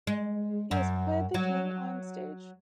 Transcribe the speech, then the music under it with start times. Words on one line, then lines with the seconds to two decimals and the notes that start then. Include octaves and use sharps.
He has played the king on stage.
0.07 G#3
0.71 F#2
1.34 F#3